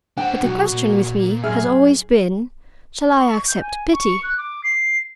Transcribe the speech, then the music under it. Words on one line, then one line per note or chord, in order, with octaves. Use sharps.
But the question with me has always been, Shall I accept pity?
D4 C5 F#5 G5
B1 F#4
A#2
F#2 G#4 E5 F6
C#6
G6
G#5
C#6
F#6
D6
C7